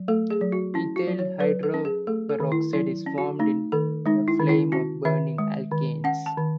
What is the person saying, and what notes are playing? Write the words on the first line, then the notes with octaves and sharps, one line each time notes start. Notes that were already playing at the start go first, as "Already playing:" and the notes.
Ethyl hydroperoxide is formed in the flame of burning alkanes.
Already playing: F#3
A3 A4
G#4
F#3
F#4
C#4 E4
F#4
F#3
C#5
F#3 B4
A4
C#4
G#4
A3 A4
A4
D#3
E4
F#3 E4
C#4
F#4
A3 D#4
D#3 A4
G#3 D#4
E4
D#3
E4
C#4 F#4
D#3 E5
G#3
D#3
C#4 F#5
A5
D#3